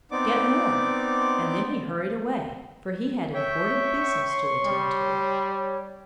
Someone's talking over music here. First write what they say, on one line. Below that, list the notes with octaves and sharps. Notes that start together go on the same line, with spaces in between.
"Get more!" And then he hurried away, for he had important business to attend to.
B3 C4 D#4 D5 D6
C#5 E5 G5 C#6
C6
G3